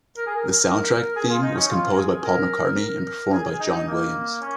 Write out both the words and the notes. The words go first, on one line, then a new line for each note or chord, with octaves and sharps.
The soundtrack theme was composed by Paul McCartney and performed by John Williams.
A#4
G#4
A#4
G#4
F4
D#4
C#4
F4
A#4
G#4
A#4
A#4
G#4
G#4
D#4
D#4
A#3
C#4